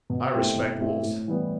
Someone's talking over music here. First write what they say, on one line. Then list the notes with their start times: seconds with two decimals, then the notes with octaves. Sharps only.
I respect wolves.
0.10 B2
0.33 A3 C4 E4 G4
0.57 B2
0.80 A3 C4 E4 G4
1.04 A2
1.28 E3 G3 B3